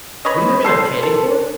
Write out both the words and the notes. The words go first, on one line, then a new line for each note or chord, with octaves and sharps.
wouldn't it be like a candy corn?
B4 C#5 D#5
A4 C6
A4 A#4